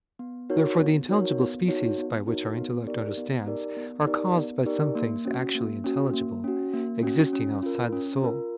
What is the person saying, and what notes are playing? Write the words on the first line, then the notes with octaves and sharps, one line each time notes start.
Therefore the intelligible species, by which our intellect understands, are caused by some things actually intelligible, existing outside the soul.
B3
D#4 F#4 A#4 C#5
B3
D#4 F#4 A#4 C#5
B3
D#4 F#4 A#4 C#5
B3
D#4 F#4 A#4 C#5
B3
D#4 G4 A#4 D5
B3
D#4 G4 A#4 D5
B3
D#4 G4 A#4 D5
B3
D#4 G4 A#4 D5
A#3
C#4 F#4
A#3
C#4 F#4
A#3
C#4 F#4
A#3
C#4 F#4
C#4
F4 A#4
C#4
F4 A#4